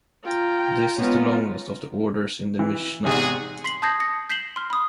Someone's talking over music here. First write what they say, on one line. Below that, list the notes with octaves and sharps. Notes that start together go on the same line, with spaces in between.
This is the longest of the orders in the Mishnah.
F4 G5 A#5
G#3 B3 C#4 D#4 F4
E3
E2 G#2 C3 F#4 G#4
C6 B6 C7 F#7
A5 D#6 G6 G#6 A#6 C7
D#6 A#6 C#7
G6 B6 C7 E7 F#7 G7
C6 F6
B5 D#6